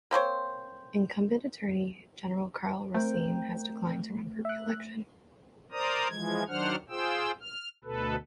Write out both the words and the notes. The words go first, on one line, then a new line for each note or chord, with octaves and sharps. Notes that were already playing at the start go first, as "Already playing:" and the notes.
Incumbent Attorney General Karl Racine has declined to run for reelection.
A#3 C4 C5 C#5
A3 C4 A#4 G5
E5 F#6
A#4 C5 D5 A#5 D#6
E3 F3 G#3 G#6
D#3 F#3 D4 C5 F#5 F6
F4 G#4 C5 G5 E6
F6
D2 B2 A4 B4